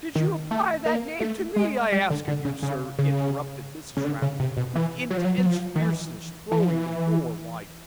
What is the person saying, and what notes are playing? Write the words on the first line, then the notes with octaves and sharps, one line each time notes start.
'Did you apply that name to me, I ask of you, sir?' interrupted Mrs. Raddle, with intense fierceness, throwing the door wide open.
D#3
A3
A#3
A3
G#3
G3
D3
D3
C#3
C#3
C#3
C#3
D3
C#3
C3
B2
E3
F#3
F3
F#3
F#3
F3
D#3
E3
E3
F3
E3